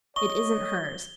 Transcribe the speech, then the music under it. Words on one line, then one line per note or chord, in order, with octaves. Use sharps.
It isn't hers!
C#5 D#5 C#6 G7